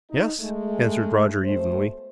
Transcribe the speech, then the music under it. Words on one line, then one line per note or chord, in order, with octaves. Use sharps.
"Yes," answered Roger evenly.
D#4
G#3 A3
B2 G#3 A3 C5